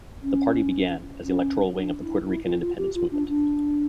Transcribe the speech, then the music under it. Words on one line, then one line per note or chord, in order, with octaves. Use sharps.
The party began as the electoral wing of the Puerto Rican independence movement.
C#4
C#4
D4
E4
E4
F4
F4
G4
F4
D4
D4